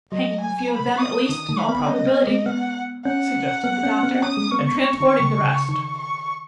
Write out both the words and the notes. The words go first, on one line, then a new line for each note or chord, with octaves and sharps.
'Hanging a few of them at least, in all probability,' suggested the doctor, 'and transporting the rest.'
F#3 D#5
G#5
B5
D#6
D#3 D#6
D#3
B5
B3
C#4 D#5
B3
G#3
B3 F#5
C#4 F#5
B3
C#4
B3
C#4 D#6
G#3
B3 C#6
D#3
C#3
C#3
D#3
C#6